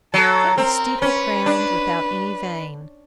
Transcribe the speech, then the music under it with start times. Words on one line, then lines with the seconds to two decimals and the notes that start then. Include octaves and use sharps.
It was steeple-crowned, without any vane.
0.14 F#3 A4
0.57 C4 A#4
1.01 C#4 B4
1.46 D4